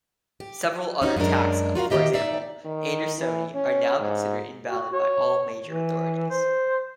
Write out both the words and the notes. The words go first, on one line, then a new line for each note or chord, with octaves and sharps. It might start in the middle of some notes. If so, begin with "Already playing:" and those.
Several other taxa, for example "andersoni", are now considered invalid by all major authorities.
G4
C#4 D#4 E4 F#4
F#2 F#3 G#3 D4 A#4
F4 F#4 A#4 F5
D#3 A#3 B3 G4 D#5 E5
D#4 D5 E5
D#3
E3
C#4
G#2
F#4
C#5
E3
C5